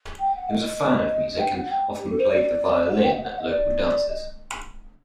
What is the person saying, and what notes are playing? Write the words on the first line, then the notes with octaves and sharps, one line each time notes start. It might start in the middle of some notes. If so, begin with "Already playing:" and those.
He was a fan of music, and often played the violin at local dances.
G5
F#5
D#5
D#5
G5
F#5
G5
G4
A4
C5
D5
F#5
G5
D#5
F#5
F#5
D#5
D5
D#5